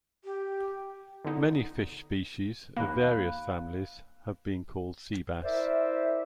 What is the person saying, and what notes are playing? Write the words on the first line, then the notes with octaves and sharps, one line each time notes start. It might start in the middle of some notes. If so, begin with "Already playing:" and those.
Many fish species of various families have been called sea bass.
G4
D3 B3 D#4
D#2 A#3 F5 B5 F#6
E4 A#4 C5 D5 E5